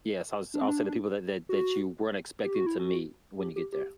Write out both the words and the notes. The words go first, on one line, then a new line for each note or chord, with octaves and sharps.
Yes, I would s I would say the people that that that you weren't expecting to meet when you get there.
D4
C4
D4
F#4
G4
F#4
E4
F#4
G4
G4
G4